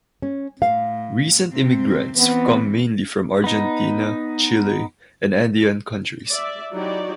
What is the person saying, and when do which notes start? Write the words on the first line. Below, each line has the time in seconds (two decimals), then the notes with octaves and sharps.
Recent immigrants come mainly from Argentina, Chile, and Andean countries.
0.22 C#4
0.62 A2 F5
1.51 C3 C4
2.17 E3 B3 C4
3.44 B3 D#4
6.28 D5 E5
6.71 F#3 D#4 E4 F#4 G4 D5